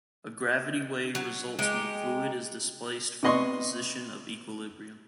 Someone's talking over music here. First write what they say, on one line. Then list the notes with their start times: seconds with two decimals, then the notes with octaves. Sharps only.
A gravity wave results when fluid is displaced from a position of equilibrium.
1.15 F#3
1.59 G#3 D#4 G4
3.23 C3 B3 D#5 C6 C#6